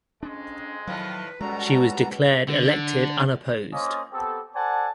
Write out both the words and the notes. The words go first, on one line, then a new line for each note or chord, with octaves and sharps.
She was declared elected unopposed.
F2 G#3 C#4 D4
A2 D#3 F3 F#3 B4
F#2 B2 G3 G#3 F#4 A4 A#5
D3
A#3 C#4 F4 C5 D#5 D6
B3 C4 G4 A4
A4 C5 D5 F#5 G#5 A5